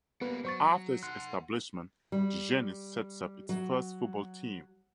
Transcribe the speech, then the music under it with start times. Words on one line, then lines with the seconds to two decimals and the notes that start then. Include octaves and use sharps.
After its establishment Digenis sets up its first football team.
0.21 G3 A#3 B3 B4
0.45 F#3 C5 C#6 A6
1.03 F#5 C6 F#6
2.12 G3
3.49 F#3